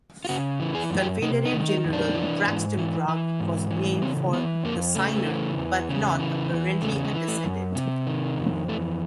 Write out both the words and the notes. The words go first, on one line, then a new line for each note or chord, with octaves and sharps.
Confederate General Braxton Bragg was named for the signer, but not apparently a descendant.
F4
C#3 F#4
E3
G#4
F#2
G4
C3 D#4
D#4
D#3
D#4
F2
D4
E3
G#2
E3
E3
G#2
E3
C#3 C4
E3 B3
F2 A#3
C#3 A3
E3
E2
C#3
E3
E2
C#3 A3
G#3
E3
A3
F#2
C3
D#3
F2
E3 A3